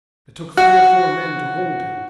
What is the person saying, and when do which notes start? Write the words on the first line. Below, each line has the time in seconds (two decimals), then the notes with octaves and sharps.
It took three or four men to hold him.
0.57 F#4